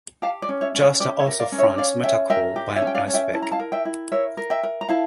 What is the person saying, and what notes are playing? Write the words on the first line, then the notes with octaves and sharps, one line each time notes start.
Jasta also fronts metalcore band Icepick.
G4 F5 A5
D5
C#4
C#5 E5
C#4
C#5
G4 D5
C#5 E5
A#4
D5 F5
C#4
C#5 E5
C#4 D5 F5
C#4 E5 G5
A#4 E5 G5
G4
C#5 E5
C#4
G5
D5 F5
C#4
E5 G5
E4 A5
A#5
F5 A5
A#4
E5 G5
E4
A#4 C#5 E5
A#4
E5 G5
A#4
A#5
E4 F5 A5